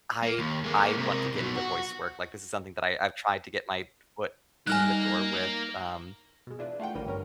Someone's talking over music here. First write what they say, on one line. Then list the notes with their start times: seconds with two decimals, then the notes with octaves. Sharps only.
I I want to get into voice work. Like, is something that I I've tried to get my foot in the door with, um,
0.23 A#3
0.38 D#2
0.64 G#3 A#3
0.98 C3 A#4
1.36 B2 F#3
1.56 F#4
4.67 G3 A#3 D#4 G#5 A#5 F6 F#6
6.47 B2 G#3
6.59 E3 D4 F4 B4
6.80 A3 F4 F#5 G5
6.95 A1 D3 E3 G3 A#4 D#7
7.07 G2 C#4 A#4